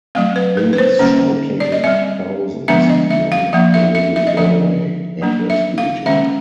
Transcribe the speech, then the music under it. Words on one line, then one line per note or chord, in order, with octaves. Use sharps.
These shouting thousands beyond the little doorway had rescued him.
F#3 A3 C4 F5
B4
A#4
B4
C5
D3 G3 A#3 C#4
D5
D#5
G3 C4 E5
D3 F3 G#3 B3 D4 E5
D#5
E5
F5
F3 A#3 D4 E5
E5
E5
E5
D#5
D3 F3 A3 D4 E5
F#3 A#3 D4
E5
F5
D#3 G#3 C#4 E5